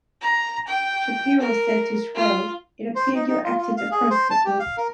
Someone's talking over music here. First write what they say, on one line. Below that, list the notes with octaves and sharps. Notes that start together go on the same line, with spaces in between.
Shapiro said to Sgro, It appears you acted appropriately.
A#5
G5
A#4
F4
C5
D#4
D#4
F4
F4
F5
G#4
C5
A5
G4
F5
A#4